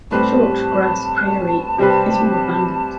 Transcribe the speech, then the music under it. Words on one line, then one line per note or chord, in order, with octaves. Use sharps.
Short grass prairie is more abundant.
A2 G3 C4 G4 B4 A5
C3 G3 C4 G4 B4